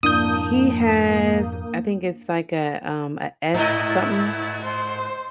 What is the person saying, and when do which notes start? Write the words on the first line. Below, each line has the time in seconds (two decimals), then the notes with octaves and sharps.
He has, I think it's like a, um, a S something.
0.03 F2 G#2 B2 A#3 D4 E4 D#6 G6
3.54 G#2 E4 D#5
4.62 C5